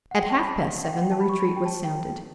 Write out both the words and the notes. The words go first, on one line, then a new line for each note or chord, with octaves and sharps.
At half past seven the retreat was sounded.
F#5
G5
A5
B5
A5
G5
F#5
G5
A5
B5
C#6
B5
A5
G5
A5
G5